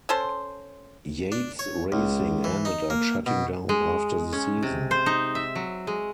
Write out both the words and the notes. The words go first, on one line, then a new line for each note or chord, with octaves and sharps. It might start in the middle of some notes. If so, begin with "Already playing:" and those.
Yates Racing ended up shutting down after the season.
C#4 A4 C5
D4
C#5
C#2
E3
D#4
A#3
B2
G#3
C#4
C3
C5
D#4
E5
F#3
G#3